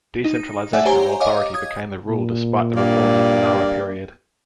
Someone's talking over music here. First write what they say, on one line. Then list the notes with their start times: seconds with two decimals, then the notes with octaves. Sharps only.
Decentralization of authority became the rule despite the reforms of the Nara period.
0.24 D#4
0.73 A3 D5 E5 F#5 G#5
0.85 G4 C5 C#5 G#5 A#5
1.20 C#5 D#5 F5 D6
1.54 D#6 G#6
2.08 A#2
2.76 G2 A#3 D5